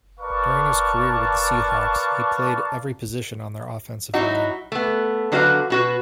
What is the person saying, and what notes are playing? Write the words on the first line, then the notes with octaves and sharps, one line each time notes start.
During his career with the Seahawks, he played every position on their offensive line.
A#4 B4 D5 F5 A5 C#6
F#3 D#4 E4 F#4
A3 B3
D3 F#3 D4 F#4 B4 F5
B2 F#4 B4